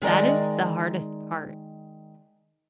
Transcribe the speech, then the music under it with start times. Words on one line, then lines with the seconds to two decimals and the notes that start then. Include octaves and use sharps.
That is the hardest part.
0.02 D#3 G#3 A#4 D5 D#5